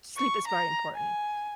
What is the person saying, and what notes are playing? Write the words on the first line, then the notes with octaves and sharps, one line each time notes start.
sleep is very important.
C#6
A#5
G#5